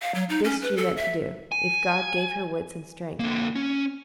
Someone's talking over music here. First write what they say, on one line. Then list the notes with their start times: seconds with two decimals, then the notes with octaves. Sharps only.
This she meant to do, if God gave her wits and strength.
0.02 F5
0.15 F#3
0.30 D#4
0.44 C#4
0.62 B4
0.77 A4
0.97 E5
1.52 G#5
3.20 D3 A#3
3.56 C#4